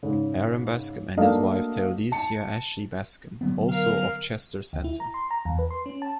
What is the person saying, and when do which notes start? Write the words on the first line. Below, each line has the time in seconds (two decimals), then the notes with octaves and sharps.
Aaron Bascom and his wife Theodosia Ashley Bascom, also of Chester Center.
0.03 G#2 C#3
1.17 A3 A#3 D4 F#4 D#5 F5
2.12 A5 C#7
3.41 D3 F#3 B3
3.70 A#4 F5
4.73 D2
4.84 E4
5.00 A#5
5.14 C6
5.31 A#5
5.45 E2
5.59 B4
5.71 C6
5.86 C#4
6.02 A5